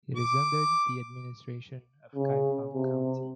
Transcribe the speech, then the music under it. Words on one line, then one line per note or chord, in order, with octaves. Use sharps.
It is under the administration of Kaifeng County.
D6
C#3
C3